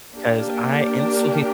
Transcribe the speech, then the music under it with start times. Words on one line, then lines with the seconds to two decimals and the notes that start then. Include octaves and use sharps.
'cause I instantly
0.13 A#3 D4 G4 A#4